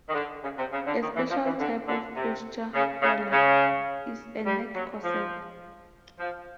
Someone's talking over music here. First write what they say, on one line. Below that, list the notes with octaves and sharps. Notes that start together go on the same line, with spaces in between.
A special type of posture collar is a neck corset.
D#3
D3
C#3
C3
C#3
D3
D#3
E3
F3
E3
D3
D3
C3
C#3
C#3
C#3
G3
F#3
F3
F3